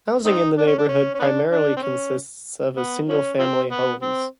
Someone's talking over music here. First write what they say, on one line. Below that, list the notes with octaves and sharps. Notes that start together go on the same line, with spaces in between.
Housing in the neighbourhood primarily consists of single-family homes.
C4 D#4
D4
C#4
D4
C#4
C#4
B3 D4
D4
C4
C#4
B3
F3 C#4
F3 C4
B3
C4